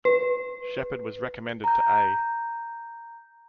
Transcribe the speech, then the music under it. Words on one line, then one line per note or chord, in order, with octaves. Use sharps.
Shepard was recommended to A.
B4
A#5 G6